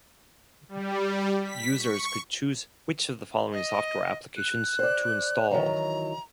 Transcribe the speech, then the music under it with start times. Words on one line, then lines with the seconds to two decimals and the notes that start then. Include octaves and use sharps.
Users could choose which of the following software applications to install.
0.69 G3
1.44 B6
1.78 C#6
3.52 D#5
4.37 F#6
4.79 C5 D5
5.51 D#3 E3 F#3 A#5